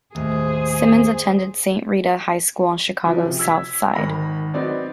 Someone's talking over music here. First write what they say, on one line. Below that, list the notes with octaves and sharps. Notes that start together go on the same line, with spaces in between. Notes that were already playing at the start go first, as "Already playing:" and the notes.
Simmons attended Saint Rita High School on Chicago's south side.
D#2 A2 G#4 C5
C#3 F3 F#3
C3 F3
E6 G#6 B6
G#1 D#3 B5 A#6
F#3 B3 C4 D#4 D5